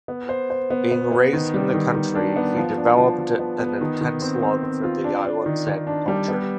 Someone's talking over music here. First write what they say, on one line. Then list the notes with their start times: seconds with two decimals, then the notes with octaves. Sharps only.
Being raised in the country, he developed an intense love for the island's agriculture.
0.08 B3
0.29 C5
0.50 C5
0.70 B3
0.91 B3
1.12 B3
1.33 D#3
1.54 G3
1.74 D#3
1.95 D#3
2.15 D4
2.36 B3
2.56 F3
2.77 D4
2.97 F3
3.18 F3
3.39 B3
3.59 B3
3.81 D#3
4.01 D#3
4.22 C4
4.43 C4
4.63 C4
4.84 F4
5.04 D4
5.25 D4
5.46 D#3
5.67 D#3
5.87 D4
6.08 G3
6.28 B3